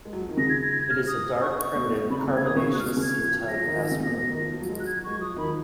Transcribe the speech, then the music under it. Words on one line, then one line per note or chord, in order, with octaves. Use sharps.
It is a dark, primitive carbonaceous C-type asteroid.
G#3
F#3
F3
D#3
C#3 A#6
G#6
A#6
G#6
F6
D#6
C#6
D#6
C#6
B2
A#2
B2
C#3 B5
A#5
C#3 F#6
G#6
D#3 D#6
C#3 C#6
B2 C#6
F#6
B2 F6
F6
C#3
G#6
F3
F3
F3 A#6
F3
D#3
F3
D#3
C#3
B2
A#2
B2
D#3
F3
F3
F#3
G#3
F#3 F#6
G#6
G#3 C#6
F#3
F3 D#6
D#3 B5
F3